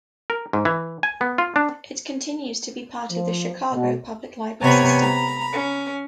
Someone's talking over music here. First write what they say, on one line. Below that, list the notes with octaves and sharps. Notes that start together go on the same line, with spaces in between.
It continues to be part of the Chicago Public Library system.
A#4
G#2
E3
G#5
B3
F4
D4
F3
B2
C3 B3 C#5 G#5 A#5 B5
A#5 B5
C#4